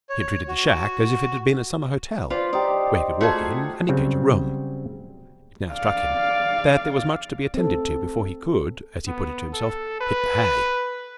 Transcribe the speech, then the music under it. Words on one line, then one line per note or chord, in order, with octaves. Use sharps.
He had treated the shack as if it had been a summer hotel, where he could walk in and engage a room. It now struck him that there was much to be attended to before he could, as he put it to himself, hit the hay.
C#5
F#4
F4 B4 C5 D5
D#4 G4 D5
A3 F4 F#4 G#4
C#3 F#3 G3 C4
D5 F5
C4 A4
B3
A4
B4